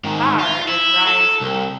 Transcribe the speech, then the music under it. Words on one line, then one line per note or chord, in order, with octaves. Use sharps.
car and drive
G#2 D#3
F4
E4
A4
C2